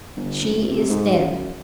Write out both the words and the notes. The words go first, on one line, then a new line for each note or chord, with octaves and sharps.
She is dead.
G1
F#1
C3
G#2
F#2